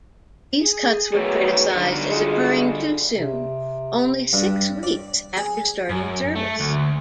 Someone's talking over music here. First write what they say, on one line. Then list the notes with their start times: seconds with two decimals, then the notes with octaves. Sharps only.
These cuts were criticized as occurring too soon, only six weeks after starting service.
0.61 G#4
1.13 D#3 F#3 A3 B3 C#5
1.71 D3 F#3 G3 D#4 F#4
2.11 G#3 F4
3.12 C3
4.33 G2
4.83 D5
5.37 G#4
5.89 F#2
6.35 A3
6.60 D2